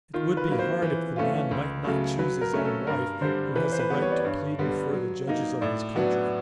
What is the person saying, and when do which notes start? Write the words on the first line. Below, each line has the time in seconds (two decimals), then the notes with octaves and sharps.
It would be hard if the man might not choose his own wife, who has a right to plead before the Judges of his country.
0.14 D#3 F4
0.37 B4
0.48 F#3 A#3 B4
0.59 C5
0.82 E3
1.16 A3 C#4 F4
1.51 C#2
1.85 C#3 F#3 A3
2.19 F#3 B4
2.41 A#4
2.53 A3 C#4
2.65 A4
2.87 G2 A#4
3.21 D3 G3 C5
3.56 E3 B4
3.72 C5
3.79 B4
3.90 G3 B3
4.02 C#5
4.11 D5
4.20 G2 C#5
4.59 D3 G3 B3
4.93 F#3
5.27 A#3 D#4
5.61 A2 D5
5.96 F#3 B3 D4 F#4